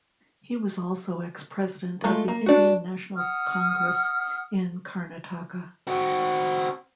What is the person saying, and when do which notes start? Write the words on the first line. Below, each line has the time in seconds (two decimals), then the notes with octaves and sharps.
He was also ex-president of the Indian National Congress in Karnataka.
2.04 G#3 A3 F4
2.28 A#3
2.46 D4 F#4
3.16 F#5 D#6 F6
5.87 C4 F#4